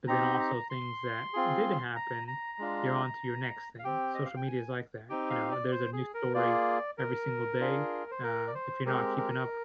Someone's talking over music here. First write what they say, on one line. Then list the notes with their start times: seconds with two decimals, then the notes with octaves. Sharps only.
but then also things that did happen, you're on to your next thing. Social media is like that, you know, there's a new story every single day, uh, if you're not keeping up
0.08 C4 D#4 G4 A#5
0.39 A#5
0.70 C6
1.34 C4 F4 G#4
1.96 A#5
2.28 A#5
2.58 G#3 D4 F4
3.79 F5
3.84 C4 G4 G5
4.15 D#5
4.25 F5
4.36 G5
4.47 G#5
5.09 C4 D#4 G4 G5
5.30 F5
5.52 D5
5.71 C5
5.93 G#4
6.14 A#4
6.34 A#3 F4 G#4 D5
6.98 A#4
7.60 D4 F4 G#4
8.11 C5
8.23 A#4
8.47 D5
8.55 C5
8.85 G#3 C4 G4 A#4
9.17 A#4